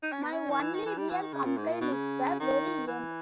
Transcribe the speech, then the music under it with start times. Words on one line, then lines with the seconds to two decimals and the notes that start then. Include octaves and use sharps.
My only real complaint is the very end.
0.03 D#4
0.12 C#4
0.23 B3
0.32 C#4
0.50 D#3
0.62 E3
0.74 D#3
0.86 E3
0.98 G3
1.10 E3
1.21 D#3
1.33 C#3
1.45 A#2
1.57 G#2
1.69 A#2
1.81 B2
1.93 C#3
2.40 D#3
2.87 E3